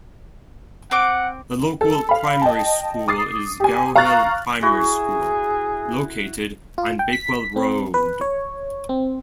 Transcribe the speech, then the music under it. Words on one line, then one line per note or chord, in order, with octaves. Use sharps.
The local primary school is Garrowhill Primary School, located on Bakewell Road.
C4 F#5 D6
A4
F5 B5
D#5 G5 A5
D6 D#6 A6 C7
G4 G#5
F5 A#5 C#6 F6 F#6 A6
E4 F#4 G#4
F4
G5
B6
C4
B4
C#5
C4